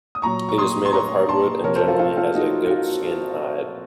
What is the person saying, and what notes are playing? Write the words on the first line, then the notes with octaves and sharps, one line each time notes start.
It is made of hardwood and generally has a goatskin hide.
D#6
A#2 F#3 A#5 C#6
C#6
C6 D#6
C6
A#5 C#6
A5 C6
C3 F3 A#4 C#5
A4 C5
F4 A4
F4 A4
F4 A4
D#4 F#4
F#4
F4